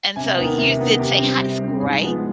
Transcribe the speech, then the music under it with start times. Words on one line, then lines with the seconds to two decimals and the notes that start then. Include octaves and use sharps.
And so you did say high school, right?
0.16 C3 G#5
0.37 D#3 B3
0.58 C3
0.78 D#3 B3
0.99 C3 G4
1.19 G3 C4
1.40 C3
1.60 G3 C4
1.80 G#2 G#4
2.01 F3 G#3 B3